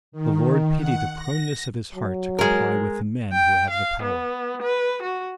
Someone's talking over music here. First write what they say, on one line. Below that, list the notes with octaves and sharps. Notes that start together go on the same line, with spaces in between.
The Lord pity the proneness of his heart to comply with the men who have the power . . .
D#3
F#5
A#6
F#3
G#3 A#4
G5
F5
B3
B4
F#4